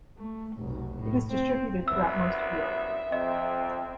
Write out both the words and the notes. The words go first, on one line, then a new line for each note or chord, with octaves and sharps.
It is distributed throughout most of Europe.
A3
F1 B1
A2
C4
C2 F#2 B3 E5 E6
F2 C4 D#5